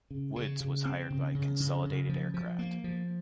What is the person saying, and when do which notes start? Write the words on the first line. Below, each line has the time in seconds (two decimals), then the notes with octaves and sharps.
Woods was hired by Consolidated Aircraft.
0.11 C#3
0.36 C#3
0.60 C#3
0.85 C4
1.10 C#3
1.35 C#3
1.60 C#3
1.85 C#3
2.09 F3
2.34 F3
2.59 A#3
2.84 F3